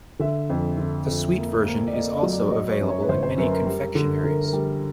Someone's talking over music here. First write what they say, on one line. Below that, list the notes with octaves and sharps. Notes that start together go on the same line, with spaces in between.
The sweet version is also available in many confectioneries.
D3 E5
F2
D3
F2
A#3
A#3
D5
A#3 D#5
D#5
F#3
D5
F#3 D#5
C#5
F#2
C#5
B4
G1 C5
C5
F#2 B4
A#4
G3
D3
D3 A#4
A#4
G3